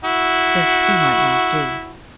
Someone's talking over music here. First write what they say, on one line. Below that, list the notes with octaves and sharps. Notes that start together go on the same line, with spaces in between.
This he might not do.
E4 F#4